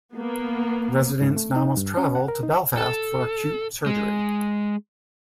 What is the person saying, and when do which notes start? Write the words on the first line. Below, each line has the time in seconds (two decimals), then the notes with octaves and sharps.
Residents now must travel to Belfast for acute surgery.
0.12 A#3 B3
1.21 G#2
1.36 A3
1.56 D#4
1.77 G2
1.97 C#4
2.15 F#5
2.28 A#4
2.43 D#4
2.78 A4
3.86 G#3